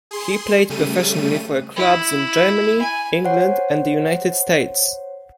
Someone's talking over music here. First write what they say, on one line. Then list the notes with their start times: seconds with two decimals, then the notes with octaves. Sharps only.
He played professionally for clubs in Germany, England and the United States.
0.11 G#4 C6
0.70 C#3 G3 A3 D#7
1.76 E4
2.81 G#5
3.24 C5 C#5 F#5